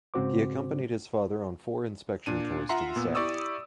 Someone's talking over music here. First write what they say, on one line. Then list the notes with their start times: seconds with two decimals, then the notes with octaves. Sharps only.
He accompanied his father on four inspection tours to the south.
0.14 G#2 C#3 C4 F#4 C5 D6
2.26 A#2 D4 D#7
2.69 F4 E5 F#5 A#5 C6
2.96 A#2 B3 E6
3.15 E4 G4 D5 C#6 D#6 E6